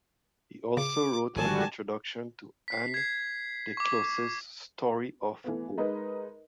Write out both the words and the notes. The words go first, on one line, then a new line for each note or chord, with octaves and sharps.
He also wrote an introduction to Anne Desclos's "Story of O".
C#3 D6
G#1 D3 F3 G3 F#4 G#5 A5
B6 C7
G#6 C7
C#6 D6
E3 A3 B3
G#3 D#4 A#4 B4 D#5